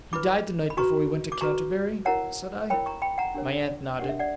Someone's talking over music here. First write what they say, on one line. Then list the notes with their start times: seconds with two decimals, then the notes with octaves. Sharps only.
'He died the night before we went to Canterbury?' said I. My aunt nodded.
0.13 E4 B4 B5 D6
0.70 B5
0.77 F#4 B4 A#5 C#6
1.32 D6
1.41 F#4 B4 A#5 C#6
2.05 E4 A#4 C#5 F#5 A#5
2.70 E4 A#4 C#5 G5 B5
2.86 A#5 C#6
3.02 G5 B5
3.18 F#5 A#5
3.34 D4 G4 A#4 C#5
3.99 D4 G4 A#4 C#5 F#5
4.09 E5
4.19 D5 F#5